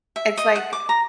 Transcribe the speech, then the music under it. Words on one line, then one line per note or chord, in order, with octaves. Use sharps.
it's like,
E5
D#5
F#5
D6
A#5